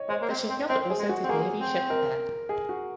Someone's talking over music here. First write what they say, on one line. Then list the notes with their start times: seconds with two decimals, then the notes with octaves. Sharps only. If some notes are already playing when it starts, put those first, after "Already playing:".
The shipyard also did Navy ship repair.
Already playing: C#5 D#5
0.09 G#3 C5
0.22 A#3
0.30 C4
0.50 C4
0.69 C4 C5
0.90 G#4
0.99 G#3
1.09 F#4
1.24 C4
1.29 A#3 G#4
1.60 C4
1.90 A#4
2.49 G#4
2.69 F#4